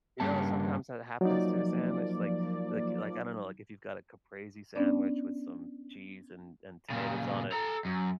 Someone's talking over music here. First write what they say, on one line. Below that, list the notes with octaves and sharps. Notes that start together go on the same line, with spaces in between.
You know, uh, sometimes that happens to a sandwich, like like like, I don't know, like, if you've got a Caprese sandwich with some cheese and and tomatoes on it.
G2 C#3 G3 A#3 D4 A5
F3 F#3 A#3 D#4 D5
B3 C#4 D4 D5
A#2 C#3
A4 A#5
F#2